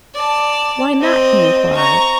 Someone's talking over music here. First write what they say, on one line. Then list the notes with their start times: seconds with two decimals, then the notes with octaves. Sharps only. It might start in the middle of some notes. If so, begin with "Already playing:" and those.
'Why not?' he inquired.
0.14 D5 A5
1.00 C4 D#5
1.75 A#5 C#6